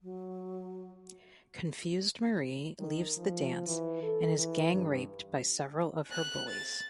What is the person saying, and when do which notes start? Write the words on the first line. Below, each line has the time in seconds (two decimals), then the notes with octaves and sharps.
Confused Marie leaves the dance and is gang raped by several of her bullies.
0.01 F#3
2.79 D#3
3.17 F3
3.67 E3
4.03 A4
4.38 E3
4.74 G2
6.12 F#6
6.48 A6